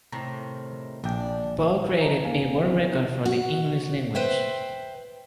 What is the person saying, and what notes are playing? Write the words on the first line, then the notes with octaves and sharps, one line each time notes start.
Poe created a world record for the English language.
A2 C3 D#3 A#5
A#1 D4 G5
B4 D#5 A5 A#5
E2 A#3 D#4 F5 G#5
E3 B3 C4
D#3
F#4
B4 C5 E5 G5